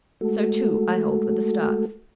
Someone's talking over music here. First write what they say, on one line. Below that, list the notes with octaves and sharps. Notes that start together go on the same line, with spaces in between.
So, too, I hold, with the stars.
G#3 A3 F#4 A4